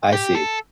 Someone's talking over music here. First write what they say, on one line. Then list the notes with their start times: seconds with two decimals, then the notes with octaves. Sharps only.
I see.
0.13 G4
0.35 A4